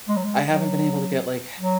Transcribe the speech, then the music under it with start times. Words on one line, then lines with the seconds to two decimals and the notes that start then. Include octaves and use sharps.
I haven't been able to get, like,
0.08 G#3
0.16 F#3
0.24 G#3
0.45 F#3
1.60 F#3